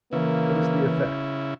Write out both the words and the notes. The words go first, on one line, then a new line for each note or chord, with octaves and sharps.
What is the effect?
C#3 E3 A#3 E4